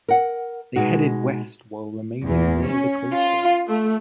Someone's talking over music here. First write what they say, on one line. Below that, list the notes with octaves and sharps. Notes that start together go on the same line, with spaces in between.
They headed west while remaining near the coastline.
A#4 F#5
B2 G#3 D#4 F#4
E2
C#4
F4
A3